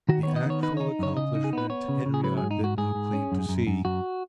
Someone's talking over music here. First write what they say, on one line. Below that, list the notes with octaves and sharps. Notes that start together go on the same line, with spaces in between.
The actual accomplishment Henriot did not claim to see.
D#3 F#4
B3 C#5
D#5
D#3 C#5
D#4 B4
D#4 C#5
F#2 C#5
C#3 D#5
D#4
G#4
B3 B4
B3 C#5
C#3
C#3
G#4
F#3 B4
G#2 G#4
D#4
G#2 F#4
G#2 G#4
G#2
C#4
F#2
F#2
F#2
F#2 F#4